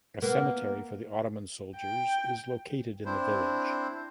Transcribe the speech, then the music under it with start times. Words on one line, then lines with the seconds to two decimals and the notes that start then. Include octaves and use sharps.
A cemetery for the Ottoman soldiers is located in the village.
0.22 A#3 B3
1.77 G5
3.05 C4 D4 E4 C5